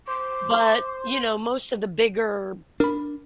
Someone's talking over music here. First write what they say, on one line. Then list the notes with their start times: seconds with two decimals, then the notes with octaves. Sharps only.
But, you know, most of the bigger
0.08 C5 D6
2.80 D4 A#4 B5